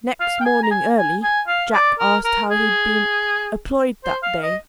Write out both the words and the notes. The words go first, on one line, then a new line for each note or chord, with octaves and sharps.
Next morning early, Jack asked how he'd be employed that day.
F5
G5
G#5
A#5
G#5
G#5
G#5
F5
D5
A#4
A#4
G#4
C5
F5
D#5